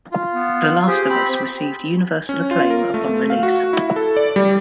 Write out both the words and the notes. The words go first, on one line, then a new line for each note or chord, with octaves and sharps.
"The Last of Us" received universal acclaim upon release.
F4
B3
G4 G#4 C5
C4 B5
C#4
F4
A#4
A3
F5
F#4
E4
A4
D5
G3